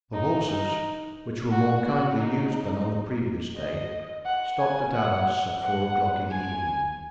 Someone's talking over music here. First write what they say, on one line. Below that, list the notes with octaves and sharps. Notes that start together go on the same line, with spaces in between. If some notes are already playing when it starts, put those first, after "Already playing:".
The horses, which were more kindly used than on the previous day, stopped at Arras at four o'clock in the evening.
D#4
D#4
F#4
F#4
D#4
D#5
F#5
G#5
F#5
F#5
G#5